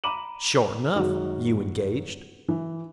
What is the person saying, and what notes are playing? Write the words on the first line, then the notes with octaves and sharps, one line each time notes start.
"Sure enough, you engaged?"
A#5 B5 D6 D#7 E7 F#7
F#2 D#3 G#3 F#4
E3